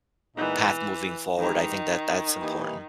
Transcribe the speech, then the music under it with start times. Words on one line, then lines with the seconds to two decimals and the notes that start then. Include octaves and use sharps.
path moving forward, I think that that's important.
0.37 A#2 E3 G#3 B3 D#4
1.38 D#3 E3 G#3 D#4 G4
2.41 E3 A#3 D#4 G4